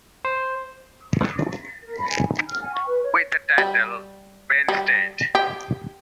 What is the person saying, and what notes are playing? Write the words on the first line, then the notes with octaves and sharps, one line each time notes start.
With the title Painstained.
C5
A#4
B5
G#5
D#4
F6
G#5
C#6
B4
C#5
G3
G3
G4